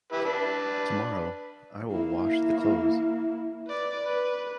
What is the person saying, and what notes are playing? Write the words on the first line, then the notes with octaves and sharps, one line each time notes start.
Tomorrow, I will wash the clothes.
E4 G4 B4
D4 B4
A#3 E4
B4 D5
B4